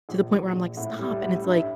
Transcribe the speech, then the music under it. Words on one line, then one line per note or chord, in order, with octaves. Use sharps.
to the point where I'm, like, "Stop." And it's, like,
A#1
A#1
A#1
A2
G3
A2
G2